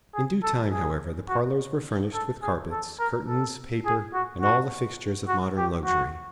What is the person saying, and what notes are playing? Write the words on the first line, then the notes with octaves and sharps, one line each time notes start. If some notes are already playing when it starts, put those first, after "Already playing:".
In due time, however, the parlors were furnished with carpets, curtains, paper, and all the fixtures of modern luxury.
G#4
A4
G#4
F#4
A4
G#4
A4
A#4
A4
G#4
F#4
F#4
F#4
G4
F#4